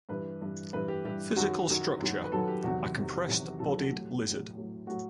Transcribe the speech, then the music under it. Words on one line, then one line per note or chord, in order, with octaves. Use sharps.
Physical Structure: A compressed bodied lizard.
G2 E3 B4
G2 E3
G2 E3 B4
G4
G2 E3 G4
F#2 D#3 F#3 F#4
F#2 D#3 F#3
F#2 D#3 F#3
B4
F#2 D#3 F#3 A4
G4
E2 C3 D#3 F#3 F#4
E2 C3 D#3 F#3
E2 C3 D#3 F#3 G4
E2 C3 D#3 F#3 A4
A2 F#3 G4
A2 F#3
A2 F#3
A2 F#3 F#4